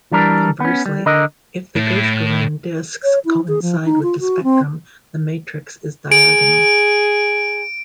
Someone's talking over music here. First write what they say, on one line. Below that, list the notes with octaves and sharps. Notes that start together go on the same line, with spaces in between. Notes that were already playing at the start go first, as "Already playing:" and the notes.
Conversely, if the Gershgorin discs coincide with the spectrum, the matrix is diagonal.
E3 G3 D4 A#4
B3 C#4
G3
D3 A#4 D#5
A2
C#5
E4
G#4
F3
D#4
F4
F#4
C4
G#4 D7